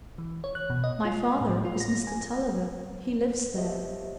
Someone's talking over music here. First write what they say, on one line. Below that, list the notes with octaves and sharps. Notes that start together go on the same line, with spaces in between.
"My father is Mr. Tulliver; he lives there."
E3
C#5
F#6
B2
D#5
F4
A2
F4
A#6
G#5
F4 G4 C5 C#5 D#5 E5